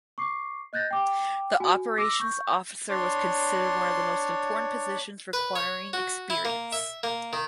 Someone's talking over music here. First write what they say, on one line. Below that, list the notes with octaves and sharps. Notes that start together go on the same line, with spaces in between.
The Operations Officer was considered one of the most important positions requiring experience.
C#6 D6 C7
D#5 F#6 G6 A6 A#6
G5 D6
F#4 G#5
D6 E6 A#6
C#6 G6
D4 C#5 D5 C6
B4
C#5
F#4
E4
A#3
E5
A#3
D#3